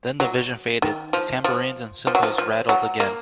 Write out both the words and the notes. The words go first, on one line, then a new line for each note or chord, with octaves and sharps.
Then the vision faded, the tambourines and cymbals rattled again.
F#3
D#3
F3
F3
F3
F#3
F3
F3
F#3
A#3